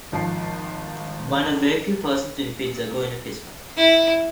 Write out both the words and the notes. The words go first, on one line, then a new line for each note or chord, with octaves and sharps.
One of very few persons to defeat Zagor in a fistfight.
G#1 F3 A5 C7
E4